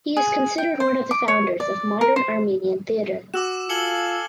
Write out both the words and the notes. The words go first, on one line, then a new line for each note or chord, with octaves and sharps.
He is considered one of the founders of modern Armenian theater.
G#4
G5
C5
D6
C#5
D5
A#4
C5
F#4 D6 E6 E7
F4 A4 F5 G#5 C#7 F#7 G7